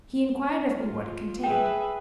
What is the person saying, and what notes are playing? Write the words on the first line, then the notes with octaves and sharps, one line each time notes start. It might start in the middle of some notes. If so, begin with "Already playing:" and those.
He inquired of me what it contained.
F4
G#4 B4 E5 G5